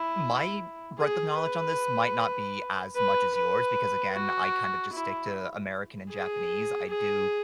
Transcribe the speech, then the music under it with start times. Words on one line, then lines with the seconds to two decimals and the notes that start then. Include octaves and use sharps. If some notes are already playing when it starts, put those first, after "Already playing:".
My breadth of knowledge on this might not be as much as yours because, again, I kind of just stick to American and Japanese. I do
Already playing: E4
0.99 G#4
1.38 B4
2.95 B4
3.35 B4
4.13 F#4
4.93 E4
6.11 G#4
6.89 G#4